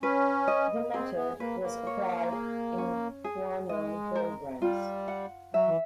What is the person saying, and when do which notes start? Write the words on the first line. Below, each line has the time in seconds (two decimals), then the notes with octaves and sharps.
The method was applied in four known programs.
0.03 C#4 B4
0.48 D#5
0.94 C4 G#4
1.17 B3
1.40 A#3 B4
1.63 A#3
1.87 C#5
2.32 G#4
2.78 C#4
3.24 G#4
3.69 G#3 D#5
4.16 A#4
4.62 G3 F4
5.08 F#5
5.54 F#3 E5
5.68 E3